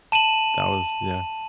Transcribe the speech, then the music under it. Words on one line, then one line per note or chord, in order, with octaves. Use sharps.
That was yeah.
A5 D#7 E7 F#7